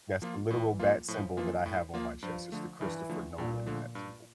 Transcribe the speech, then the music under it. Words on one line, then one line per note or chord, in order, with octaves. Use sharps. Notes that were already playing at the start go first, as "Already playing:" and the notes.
that's the literal bat symbol that I have on my chest, it's the Christopher Nolan bat symbol.
F3 A#3 F4
A2 E3
F3 A#3 F4
A2 F3
E3 F3 A#3 F4
A2
F3 A#3 F4
G2 F3
D3 F3 A3
G2 E3
D3 F3 A3
G2 A#2
D3 F3 A3
G2